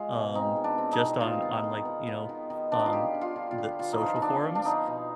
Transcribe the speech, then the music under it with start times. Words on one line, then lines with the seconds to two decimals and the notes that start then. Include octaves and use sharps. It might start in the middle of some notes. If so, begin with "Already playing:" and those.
um, just on on, like, you know, um, the social forums,
Already playing: G#3 F4
0.14 B2
0.34 C4 D#4
0.56 G#3
0.64 D4
0.78 C4
0.93 D#4
0.99 B2
1.20 D#3 F4
1.42 B3
1.64 D#3
1.85 B3
2.07 B3
2.29 D#3
2.50 D#3
2.72 B3 D4
2.79 D#4
2.86 F4
2.93 D3 G4
3.15 D3
3.21 F4
3.36 D3
3.51 F4
3.58 D3
3.79 D3 F4
3.93 D#4
4.01 F3 F4
4.16 D#4
4.22 D3 D4
4.44 F3
4.55 D4
4.65 B3 D#4
4.87 B2